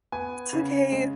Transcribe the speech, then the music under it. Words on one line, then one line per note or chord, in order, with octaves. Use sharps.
It's okay.
B3 G#5
C#3
G#3